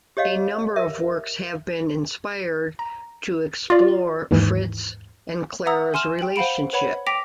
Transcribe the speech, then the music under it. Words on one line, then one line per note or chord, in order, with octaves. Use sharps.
A number of works have been inspired to explore Fritz and Clara's relationship.
G4 C#5 D#5 F5
A#4 E5
A#5
F4 D5
D#2 G#2 E3
E5 F#5 A#5 D#6 E6
G#5 C6 F6 E7
G5 F#7
C5 F5 F#5 B5 D7
B4 C#5 F#5 B5
G5 D6 A#6 B6 D7 F7